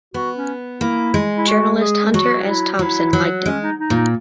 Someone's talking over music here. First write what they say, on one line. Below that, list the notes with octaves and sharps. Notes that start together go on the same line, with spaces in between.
Journalist Hunter S. Thompson liked it.
B3 F#4
C#4
A#3 E4
G#3
E4
F#4
G#4
F#3 F#4
E4
F#3 E4
F#3
G#3 C#4
D#4
D#4
A#2
D#4